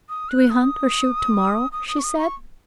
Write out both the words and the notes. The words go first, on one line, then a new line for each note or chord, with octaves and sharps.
"Do we hunt or shoot to-morrow?" she said.
D#6
F#6
D#6
D#6
D#6
C#6
D#6
C#6